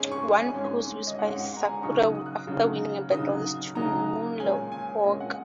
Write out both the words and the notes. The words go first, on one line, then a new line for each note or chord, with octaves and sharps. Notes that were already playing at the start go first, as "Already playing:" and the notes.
One pose used by Sakura after winning a battle is to moonwalk.
Already playing: G#2 G#3 C#4 G#5
C#6
G#5
G#2 G#3 C#4
D#5
G#2 G#3 C#4 F#5
F#5
A#5
G#5
C#3 F#3 D#4 C#6
D#6
D#6
F#6
C#3 F#3 D#4
C#3 F#3 D#4 D#6
C#3 F#3 D#4 A#5
A#2 G#3 C#4 G#5
G#5
A#2 G#3 C#4 D#5
F#5